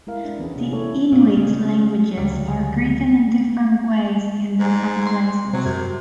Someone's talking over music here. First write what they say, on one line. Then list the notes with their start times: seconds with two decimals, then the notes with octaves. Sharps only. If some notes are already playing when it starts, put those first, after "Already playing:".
The Inuit languages are written in different ways in different places.
0.07 G#3 E4 A#4 F5
0.25 D4
0.39 E3 B3 C#4 G#4
0.53 C3 B3
0.72 C3 G#3 E4 A4 C#5
1.12 A#2
1.37 C#3
2.18 D2 C#3 F#3 G3
4.60 G#2
5.07 C6
5.53 C3 F#3
5.66 F#2 C3